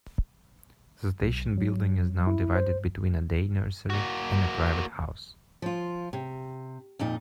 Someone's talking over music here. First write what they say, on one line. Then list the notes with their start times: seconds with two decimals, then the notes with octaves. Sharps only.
The station building is now divided between a day nursery and a private house.
1.21 B1
1.58 F#3
2.27 E4
2.55 C5
3.90 A#3 F#4
5.62 F3 F4
6.13 C3
6.99 F2 A#2 D#4